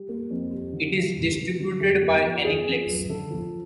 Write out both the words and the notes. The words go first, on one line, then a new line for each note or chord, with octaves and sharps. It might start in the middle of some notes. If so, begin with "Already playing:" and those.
It is distributed by Aniplex.
Already playing: G3
A#3
F2
G3
D3
G3
G3
G3
D3
F#2 G4
G1
F3
G1 G#4
F3
F#2
D3 A4
F3